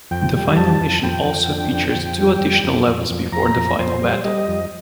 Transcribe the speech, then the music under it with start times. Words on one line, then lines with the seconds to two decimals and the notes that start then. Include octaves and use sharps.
The final Mission also features two additional levels before the final battle.
0.11 F2 G5
0.34 G3
0.56 F2 A5
0.80 F2
1.03 F2 G5
1.25 F2
1.48 D3
1.72 F2
1.95 F2
2.18 G3
2.41 F2
2.64 F2
2.87 F2
3.10 F2
3.32 F2 A#5
3.56 F2
3.79 F2 C5
4.02 G3
4.24 G3 D#5
4.48 F2